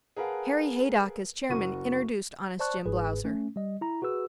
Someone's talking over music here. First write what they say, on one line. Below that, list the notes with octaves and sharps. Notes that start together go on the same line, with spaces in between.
Harry Haydock, as chairman, introduced Honest Jim Blausser.
G#4 A#4 B4 F5 F#5 A5
F#1 F#4 C#6 D#7
C5 D5 A5 C#6 F#6
G1 G#2 G#4 B4
A3 C#4
G3 D#5
E4 A#5
F#4 G#4 B4 E6